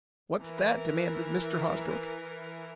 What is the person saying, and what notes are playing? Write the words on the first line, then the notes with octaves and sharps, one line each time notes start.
"What's that?" demanded Mr. Hosbrook.
E3 A#4